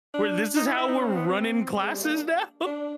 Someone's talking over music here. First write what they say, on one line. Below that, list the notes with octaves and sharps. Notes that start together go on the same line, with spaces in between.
We're this is how we're running classes now?"
D4
D#4
E4
E4
D#4
C#4
C4
B3
C4
G#3
G3
A#3
D4
D4